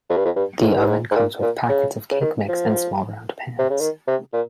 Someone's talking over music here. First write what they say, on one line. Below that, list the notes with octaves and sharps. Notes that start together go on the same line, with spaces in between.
The oven comes with packets of cake mix and small round pans.
F2
G2
F2
G2
G#2
G2
G#2
G#2
A#2
A#2
C#3
C#3
D#3
F3
C3
C#3
D#3
C3
A#2